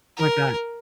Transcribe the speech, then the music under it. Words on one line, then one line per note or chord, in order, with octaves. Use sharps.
Oh my god.
A#4